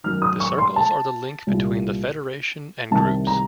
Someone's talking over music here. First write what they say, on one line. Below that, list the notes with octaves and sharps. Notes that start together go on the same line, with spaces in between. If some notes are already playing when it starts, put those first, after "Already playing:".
The circles are the link between the Federation and groups.
F#2 D#3 F6
D#6
C#6
C6
A5
C2 A#2
C2 C3 D#3 A5
A#5